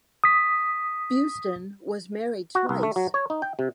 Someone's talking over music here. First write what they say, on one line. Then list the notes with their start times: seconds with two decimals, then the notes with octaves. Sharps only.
Buston was married twice.
0.24 D#6 B6
2.55 F#4
2.69 C2
2.83 A3
2.96 F#3
3.14 C#5
3.30 D#4
3.42 G5
3.59 C3